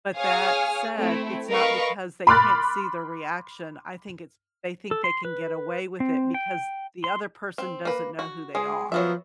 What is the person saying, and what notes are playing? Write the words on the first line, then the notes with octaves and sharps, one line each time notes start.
but that said, it's not because they can't see their reaction. I think it's they think they can get away with it because the other person doesn't know who they are.
G#4 C#5 F5 G#5 D#6 F6
A3 C4 E4
A#4 B4 D#5 F5 B5 C#6
B5 C6 D6 F6 F#6 A6
A4
C6
B4
C4
G5
C6
C4
A#3 B4
F#4
G#3 G#4
F3 F#3 B3 E5